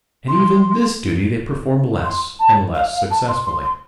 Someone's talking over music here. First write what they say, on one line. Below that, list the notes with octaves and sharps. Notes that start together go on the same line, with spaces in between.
And even this duty they perform less and less successfully.
C6
C6
A5
F5
F5
A5
C6
C6
C6